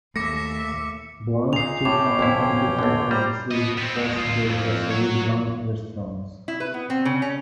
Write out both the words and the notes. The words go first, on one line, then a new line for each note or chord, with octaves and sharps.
Blanc took on twenty-one apprentices across the Brasserie Blanc Restaurants.
D#2 A3 E5 D6 A#6 C#7
A#2 D#4 G#4 C7 F7
A2 C#4 C#5 G5 D6
F2 D3 E4
B1 D3
G3 C5 G5 A#5
B3 D#5
B3 C4
A2 G#3
G#3 F4
F2 F3
F#3 C#5
E4
B4
B3
C4
C#3
C#4